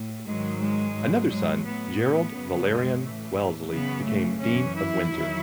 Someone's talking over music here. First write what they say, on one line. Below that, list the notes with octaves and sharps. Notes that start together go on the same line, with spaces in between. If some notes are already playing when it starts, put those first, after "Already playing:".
Another son, Gerald Valerian Wellesley, became Dean of Windsor.
Already playing: A2
G#2 D#3 F#3 G#3
G#3
G#2 F#3
G#3
A2 F#3 B3
F#2 C#3 F#3
G#3
A2 E3 A3
F#2 C#3 E3 B3
A3
F#2 E3 C#4
E4
E2 D#3 F#3